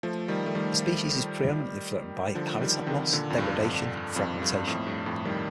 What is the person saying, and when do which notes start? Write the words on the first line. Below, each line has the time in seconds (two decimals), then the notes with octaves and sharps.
The species is pre-eminently threatened by habitat loss, degradation and fragmentation.
0.03 F3 A3
0.28 D#3 G3
0.46 A3
0.55 D#3 G3
2.35 D3 F3
2.61 D#3 G3
2.87 C3 D#3
3.13 A#2 D3
3.30 F2
3.38 G2
3.65 F2
4.16 F2
4.42 G2
4.67 F2 A2
4.86 G2
5.06 F2 A2
5.25 D#3 G3